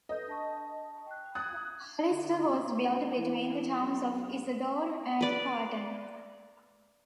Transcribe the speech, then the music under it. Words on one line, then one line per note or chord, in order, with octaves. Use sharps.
Hollister was built between the towns of Isadore and Parton.
A4 B4 D#5 G6
D4 A5 C#6
G5 F#6
D#6 F#6 G#6 A6
D3
B2
A1
E3
B1
B4 D5